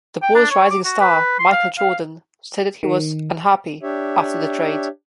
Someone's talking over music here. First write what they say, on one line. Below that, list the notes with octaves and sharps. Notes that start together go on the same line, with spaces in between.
The Bulls' rising star Michael Jordan stated he was "unhappy" after the trade.
G5
D4
C#5
D6
F#4
B4
C6
F5
F5
D#3
D4 G4 C#5 E5